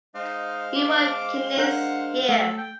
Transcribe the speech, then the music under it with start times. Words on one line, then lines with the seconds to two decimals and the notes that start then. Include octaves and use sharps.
We want keenness here.
0.15 G#3 D#4 C5 F5
0.76 D6
1.57 D4 A#4 F#5 G6
2.29 A3 A4
2.58 G5